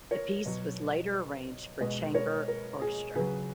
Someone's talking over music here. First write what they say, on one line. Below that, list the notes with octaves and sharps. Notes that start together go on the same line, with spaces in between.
The piece was later arranged for chamber orchestra.
A#4 C#5
B2 F#3
B2 G#3 B4 D#5
A#4 C#5
A#4
G#4
C#3 F#3 G#4 B4